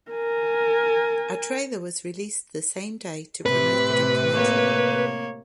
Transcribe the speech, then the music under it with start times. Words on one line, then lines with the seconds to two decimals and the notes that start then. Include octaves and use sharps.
A trailer was released the same day to promote the documentary.
0.11 A#4 G#5
3.46 A2 C3 B4
4.32 A#3 C#5